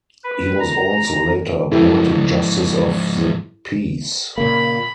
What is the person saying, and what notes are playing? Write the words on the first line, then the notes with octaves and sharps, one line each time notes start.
He was also later appointed justice of the peace.
B4
A#5
G#2 F3 E4 G4 A4
A#2 C#3 A#3 B5